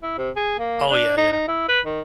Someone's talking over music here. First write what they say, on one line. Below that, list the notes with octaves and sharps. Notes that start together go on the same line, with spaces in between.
Oh, yeah, yeah.
E4
C3
G#4
A#3
D4
D#4
D#4
E4
B4
D#3